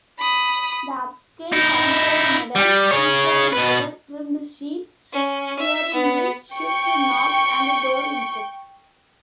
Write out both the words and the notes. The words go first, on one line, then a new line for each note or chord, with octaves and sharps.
The upscale Concorde models featured leather-trimmed seats, steering wheels, shift knobs and door inserts.
B5 D#6
D#4 E4
G3
G#4 C#5
B2 B4
C#4
E5
B3
G5 C#6